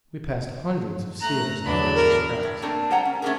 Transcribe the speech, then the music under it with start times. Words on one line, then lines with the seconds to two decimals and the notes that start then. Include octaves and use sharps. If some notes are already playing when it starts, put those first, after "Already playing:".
We passed hundreds of seals at the various cracks.
1.20 A3 A#5 F#6
1.64 E2 D3 F#3 D4 B5
1.95 A#4
2.43 A2
2.62 A3 A#3 C4 D4 A4
2.90 G3 G#3 C5 F#5 G5 A#5
3.05 C#4
3.22 A3 C#4 F4 G4 G#4 A#4